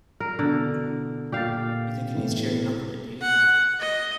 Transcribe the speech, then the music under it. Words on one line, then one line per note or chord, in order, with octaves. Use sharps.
You think he needs cheering up a bit, do you?
A#4
B2 D3 E3
A#2 G4 F5 A6
A2 E3 B3
F#5
D#5